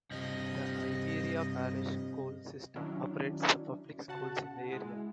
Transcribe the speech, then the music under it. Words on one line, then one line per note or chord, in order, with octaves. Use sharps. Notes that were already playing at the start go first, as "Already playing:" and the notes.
The Iberia Parish School System operates the public schools in the area.
G2 C3 F3 D#5
D#3 F#3 C#4 D4 E4
C#3 F#4 F#5 A5
G#3 E4